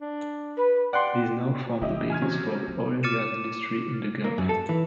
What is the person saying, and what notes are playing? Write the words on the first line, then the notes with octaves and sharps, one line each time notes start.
These now form the basis for the oil and gas industry in the gulf.
D4
B4
D5 F#5 G5 C6
C#3 E3 E4 G4 D#5
G#5 F6 G#6
C3 F#3 C#4
F#3
D6 F6 A6 C#7 D#7 E7
A#3
F#2
A4
E3